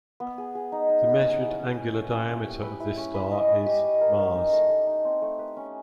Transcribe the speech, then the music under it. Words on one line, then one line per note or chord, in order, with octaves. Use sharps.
The measured angular diameter of this star is mas.
B3
G#4
G#4
D#4
D#4
B3
C#4
E4
C#4
G#4
C#4
C#4
E4
G4
B4
E4
C#4
B4
D#5
D#5
G4
D#5
A#4
A#4
D#4
A3
A3
D#4
C4
A3
B4
C#4